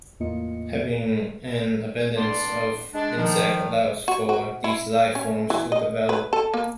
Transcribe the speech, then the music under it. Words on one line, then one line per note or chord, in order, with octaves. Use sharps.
Having an abundance of insects allows for these life-forms to develop.
E2 A2 A#3 F4 D#5 C#7
G3 B3 D4 D5 A5 C6
G#3 D4
D#3 F3
F#4
F#4
E4
C#4
E3
D#5
B4
A4
A#3